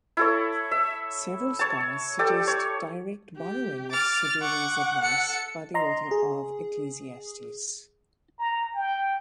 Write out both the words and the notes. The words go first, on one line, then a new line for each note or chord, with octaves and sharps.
Several scholars suggest direct borrowing of Siduri's advice by the author of Ecclesiastes.
E4 A4 C#5
E5
C#5 A5
G4 A4 D5
C#5
G4
D6 F6 A6
F#5 C#6 D6
A4 C#7
D#5 A#5 C6
G#4
A#5
G5